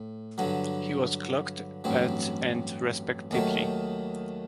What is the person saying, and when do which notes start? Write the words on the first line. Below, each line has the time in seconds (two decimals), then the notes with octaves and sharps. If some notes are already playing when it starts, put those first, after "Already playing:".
He was clocked at and respectively.
Already playing: A2
0.38 G2 D3 F#3
1.84 A1 G2 F#3 C4
3.31 D#2 D#3 F#3 A3